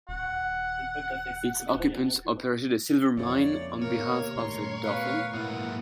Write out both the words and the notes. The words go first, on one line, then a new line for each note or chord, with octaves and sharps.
Its occupants operated a silver mine on behalf of the Dauphin.
D#1 F#5
F2 C#3 G#3 A#3 E4 C#5 D5
D#2 C3 A#3 B3 A#4 C#5
A#2 D3 D#3 A3 A#5 C6
D#2 B2 B4 F5 C#6
G#2 A#3 E4 F#5 D#6